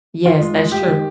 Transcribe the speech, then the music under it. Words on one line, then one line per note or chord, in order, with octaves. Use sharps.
Yes, that's true.
D#3 F4
G#3
G#3
G#3 G4
D#3